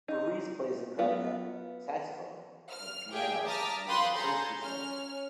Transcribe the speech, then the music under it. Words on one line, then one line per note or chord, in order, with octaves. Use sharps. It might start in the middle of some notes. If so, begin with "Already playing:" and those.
Berresse plays the clarinet, saxophone and piano and is of French descent.
D#4
F#3 B3 F4
F6
G4 G#4 E5 G5
A5 A#5 D6 D#6 F6 B6
F5 G5 B5 C6 D#6 F#6
G#4 A4 A#5 C6 G6
C#4 F6